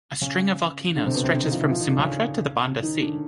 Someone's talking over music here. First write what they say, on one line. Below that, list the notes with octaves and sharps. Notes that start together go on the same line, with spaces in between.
A string of volcanoes stretches from Sumatra to the Banda Sea.
C#3 C#4
D3 D4
C3 C4
B2 B3
C3 C4
D3 D4
D#3 D#4
F3 F4
E3 E4
F3 F4
D#3 D#4
D3 D4
C#3 C#4
D#3 D#4
D3 D4